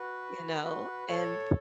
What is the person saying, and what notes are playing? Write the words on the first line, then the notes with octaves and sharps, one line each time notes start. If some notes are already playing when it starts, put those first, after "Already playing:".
you know, and
Already playing: F#4 B4
F#4 B4
A4 C#5